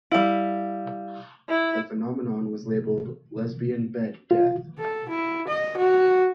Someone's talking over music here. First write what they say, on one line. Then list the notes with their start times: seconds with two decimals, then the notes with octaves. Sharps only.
The phenomenon was labeled "lesbian bed death".
0.11 G3 E4 F5
1.49 E4
4.31 F4
4.79 A4
5.09 E4
5.48 D#5
5.78 F#4